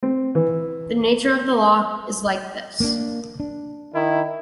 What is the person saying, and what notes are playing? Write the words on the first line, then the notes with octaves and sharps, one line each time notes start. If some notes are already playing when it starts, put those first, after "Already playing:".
The nature of the Law is like this.
C4
E3
A#3 B3 D4
D4
D#3 E4